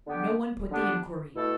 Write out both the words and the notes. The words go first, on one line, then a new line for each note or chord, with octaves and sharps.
No one put the inquiry.
D3 B3 D4 G4
D3 B3 D4 G4
B2 A3 E4 A4